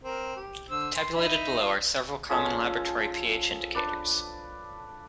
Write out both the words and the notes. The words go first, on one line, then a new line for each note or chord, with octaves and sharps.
Tabulated below are several common laboratory pH indicators.
C4 A#4
G4
D3 C5 E6
C6
D#4 E5 B5
F4 A5
F3 G#3 C#4 A4
D4 B4 D5